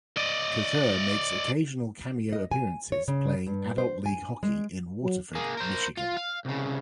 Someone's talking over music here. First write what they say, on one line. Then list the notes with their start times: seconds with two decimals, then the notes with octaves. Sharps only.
Kocur makes occasional cameo appearances playing adult league hockey in Waterford, Michigan.
0.17 D5 D#5
2.33 D#5
2.51 G#5
2.92 C#5
3.08 C#3
3.47 G2
3.78 C5
4.06 G#5
4.43 G#3
5.03 F#3
5.35 A#3 G#4
5.57 A#4 C5
5.97 F4
6.17 F5
6.45 C2 C#3